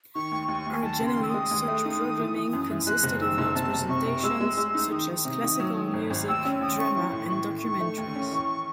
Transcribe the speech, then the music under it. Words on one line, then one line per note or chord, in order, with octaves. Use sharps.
Originally, such programming consisted of arts presentations such as classical music, drama, and documentaries.
D#3 C#6
D#2
D#2 C#6
D#2
G#5
D#2 A5
C#3
C6
D#2
E6
D#6
G#3
D#2
A3
D#4
D#3
E3
E3
F#2
E3
G#3 F#6
F#1
D#3 E6
F#1
C3 A5
C3
C3 C#6
C3
G#3 E6
G#3
G#3 E6
D#4
D#3 D#6
D#3
C3
D#3
F#3
D#3
G#1
G#1
D#2 E6
C#4
D#2 D#6
C#4 C#6
E3 C#6
A2
E3 C#6
E3
D#3 C#6
A3
D#2
C#4
E3